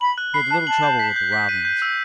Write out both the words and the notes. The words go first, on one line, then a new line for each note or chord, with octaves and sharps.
He had little trouble with the robins.
B5 F#7
F#6
B5 C7
A5 F#6
A5 F#7
G6
B6
G6
B6
D#7
G6
E6